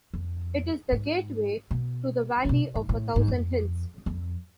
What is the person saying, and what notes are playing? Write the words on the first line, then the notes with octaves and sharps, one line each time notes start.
It is the gateway to the Valley of a Thousand Hills.
F2
G#2
B2
C3
B2
G#2
A2
G#2
F2
F2